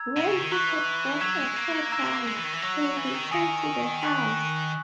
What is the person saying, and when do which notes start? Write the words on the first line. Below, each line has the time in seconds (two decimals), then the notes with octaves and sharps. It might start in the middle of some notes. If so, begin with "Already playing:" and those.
When he had got a fair bunch, they returned to the house.
Already playing: A#5 E6 G#6
0.17 B2
0.28 C#3
0.40 D#3
0.51 E3 A#5 C#6 F#6 B6
1.21 F#3 E6 G#6 B6 E7
1.39 G#3
1.57 A#3
1.92 A#5 E6 A#6 E7
2.27 G#3
2.35 E3
2.44 D#3
2.53 E3
2.62 F#3 C#6 E6 A#6
2.97 E3
3.14 D#3
3.31 D#3 G#5 D#6 A#6 C#7
4.01 C#6 F#6 B6 F#7